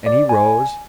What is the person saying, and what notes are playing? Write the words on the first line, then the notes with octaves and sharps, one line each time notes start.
And he rose.
D5
G#5